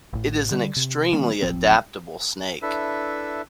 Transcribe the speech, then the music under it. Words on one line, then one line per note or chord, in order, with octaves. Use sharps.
It is an extremely adaptable snake.
A1 A2
D3 G3
C3
D#3 G3 A#3 C#4
D#1 A1 F3 C4
D4 E4 A4 B4 E5